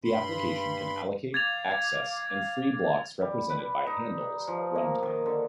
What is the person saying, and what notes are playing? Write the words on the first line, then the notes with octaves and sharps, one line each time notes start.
The application can allocate, access, and free blocks represented by handles at run time.
G2 B5 C6
F5 D6 G#6 A6 F7
G3
B4
D#4
F3
A#3
D#3
D3